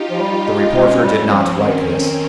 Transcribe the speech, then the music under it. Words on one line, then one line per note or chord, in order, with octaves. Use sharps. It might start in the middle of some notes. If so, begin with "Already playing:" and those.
The reporter did not like this.
Already playing: D#4 F4 G4
F3
G3
G#3
G#3 C#4
G3
C4
F3
D#3 C#4